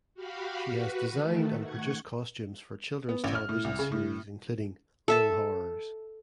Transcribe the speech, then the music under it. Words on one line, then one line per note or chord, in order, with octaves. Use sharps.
She has designed and produced costumes for children’s television series including L’il Horrors.
F#4 G4 F5 B5
F#4 B4
D#3 A3
F#5 C#6 G#6
B3
A1
F6
A2
C2
C#3
A2
A4 E5 A5